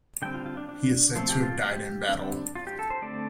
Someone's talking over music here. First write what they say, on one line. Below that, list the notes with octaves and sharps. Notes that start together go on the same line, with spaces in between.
He is said to have died in battle.
D3 G3 C4 G5
F4
F4
D4
D4
F3 A3 C4 F4
G4
F4
G4
D3 G3 C4 D4
F4
G4
A4
C5
D3 A3 C4 D5